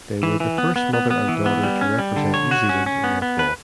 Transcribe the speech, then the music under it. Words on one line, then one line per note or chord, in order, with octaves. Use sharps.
They were the first mother and daughter to represent New Zealand in netball.
E3
E3
B3
B3
B3
B3
E3
B3
G3
C#4
G3
D3
C#5
F#4
C#4
C#4
B3
B3
B4